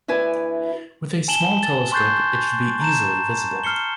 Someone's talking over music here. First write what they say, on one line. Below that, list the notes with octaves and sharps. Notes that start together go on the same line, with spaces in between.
With a small telescope it should be easily visible.
D2 E4 B4 G#5
G#5 A5 E7 F#7 G7
A6
C6 C#6 F#6 G6 A6 C7
A5 A#5 G6 E7
F6 C7 C#7 G7